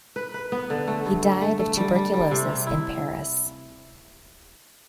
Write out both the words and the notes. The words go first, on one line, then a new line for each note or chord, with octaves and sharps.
He died of tuberculosis in Paris.
B4
B4
B3
D3
A3
G2
A3
A3
A3
G3
G3
G3
C3
C3
E4